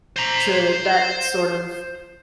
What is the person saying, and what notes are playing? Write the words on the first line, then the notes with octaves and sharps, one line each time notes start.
to that sort of
C5 A#5